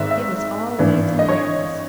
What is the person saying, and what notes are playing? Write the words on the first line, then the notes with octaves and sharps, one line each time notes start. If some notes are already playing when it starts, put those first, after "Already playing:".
It was all weeds and brambles.
Already playing: G#1 G#2 D#3 E5
E5
G#1 G2 E3
D#5
C#5